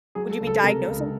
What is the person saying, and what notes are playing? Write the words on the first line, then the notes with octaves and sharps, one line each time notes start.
Would you be diagnosing?
F#3 G#4
A4
C#2
A4
C3 A#4
C#2